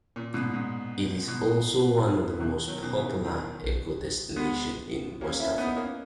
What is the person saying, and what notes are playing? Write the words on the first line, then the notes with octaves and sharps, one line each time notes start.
It is also one of the most popular eco-destinations in West Africa.
A#2
G#2 B2
G#2
G#2 B2
E3
B2 D#3
D#3 F#3
B2 D#3
C#3 E3
D#3 F#3
G#3 B3
A#3 C#4
C#4 E4
B3 D#4
A#3 C#4